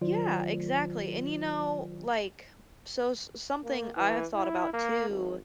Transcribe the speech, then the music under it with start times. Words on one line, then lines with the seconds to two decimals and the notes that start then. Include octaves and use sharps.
Yeah, exactly, and you know, like, so, s something I have thought about too
0.01 D#3 F#3 F4 C5 D5
3.64 A#3
3.96 E3
4.34 E4
4.73 A#3
5.09 G#1